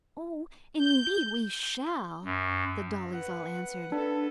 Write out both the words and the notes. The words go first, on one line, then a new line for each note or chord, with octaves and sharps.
"Oh, indeed we shall!" the dollies all answered.
G6
F#2
B4 F#5
D4 A4 B4